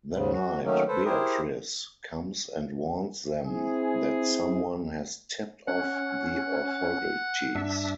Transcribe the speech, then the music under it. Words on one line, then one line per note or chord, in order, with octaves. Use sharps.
That night Beatriz comes and warns them that someone has tipped off the authorities.
D#2 G#2 C#3
F#4
D#3 F#3 A3 A#3 C#4 D#4
A4 B4 C5
E4 G4 G#4 A#4 C5
C4 E4 G#4
C#4 F#5
G2 D4 E5